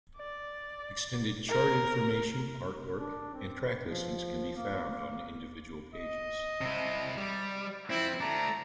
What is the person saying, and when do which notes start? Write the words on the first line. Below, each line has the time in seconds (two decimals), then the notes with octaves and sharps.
Extended chart information, artwork and track listings can be found on individual pages.
0.18 D5
1.49 A#4
2.99 D4
3.34 C4
3.83 F3
4.56 A#3
5.94 D#5
6.61 C3 E4
7.18 G3
7.90 F3 C4 E4
8.21 A3 D4 A#5